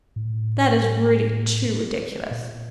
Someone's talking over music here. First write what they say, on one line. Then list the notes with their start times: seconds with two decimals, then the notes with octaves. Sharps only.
That is really too ridiculous!
0.16 A2
2.31 A#2